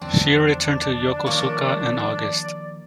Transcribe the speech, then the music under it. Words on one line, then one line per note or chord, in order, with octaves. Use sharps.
She returned to Yokosuka in August.
E2 D3 F3 C4 D4
D5
D#3 F3 G3 A#3 F4 C#5